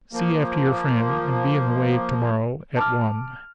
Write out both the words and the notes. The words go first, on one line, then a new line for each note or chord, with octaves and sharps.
'See after your friend, and be in the way to-morrow at one.
F3 A#3
A5 D6 F6